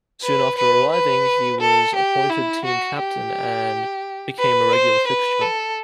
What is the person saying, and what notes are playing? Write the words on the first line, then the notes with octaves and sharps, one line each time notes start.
Soon after arriving, he was appointed team captain, and became a regular fixture.
B4
B4
B4
A4
G4
E4
F#4
G4
B4
C5
B4
A4